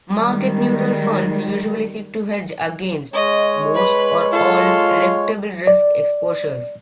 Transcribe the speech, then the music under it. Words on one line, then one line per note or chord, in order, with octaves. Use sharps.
Market neutral funds usually seek to hedge against most or all predictable risk exposures.
D#3 G3 G#3
G#3 C#5 D#5
B4 B5
F4 A4
D5